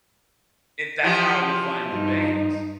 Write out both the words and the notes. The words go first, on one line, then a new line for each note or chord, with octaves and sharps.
It that's how I would find new bands.
E3 F3 G4
G2 D#4